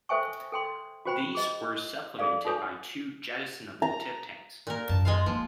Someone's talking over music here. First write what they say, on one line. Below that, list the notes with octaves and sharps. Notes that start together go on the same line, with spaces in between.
These were supplemented by two jettisonable tip tanks.
A4 C5 E5 G5 G#5 C#6
A4 G5 C6
F#4 G4 C5 G5 B5
G#4 D#5
G#4 A4 D5 F5
D#4 F#4 A4 C#5 G#5
A#5
A#2 A#4
F#2 A5
G#3 F4 F5
F3 A#3